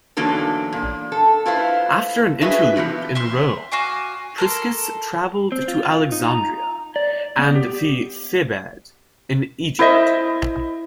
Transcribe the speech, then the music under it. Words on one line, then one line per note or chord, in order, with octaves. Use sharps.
After an interlude in Rome, Priscus traveled to Alexandria and the Thebaid in Egypt.
E2 D3 F#3 A#3 D#4 A4
A#2
A4
E4 F4 B4 C5
F#4 G#4 B4 D#5 E5
C3 E3 F3 B3
E5 C6 F6
F#4 F5 G#5 D6
A4 A#4 C6
C4
F4
D#4
A#5
D5
B3
G4
E4 C5 D#5 E5